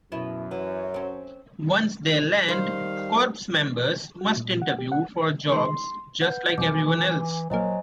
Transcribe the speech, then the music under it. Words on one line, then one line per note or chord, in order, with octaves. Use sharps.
Once they land, corps members must interview for jobs just like everyone else.
F#2 B2 E4
E3 F#3
C4 C#4
D#3 G3 C5 F5
F#4
A#2
F#5
G4
F#5
D#3 G#3 C6
B4 F#5 G6
B1 F2 E3 G#5 D6
A#1 F#3 A#3 C5 D#5 G#5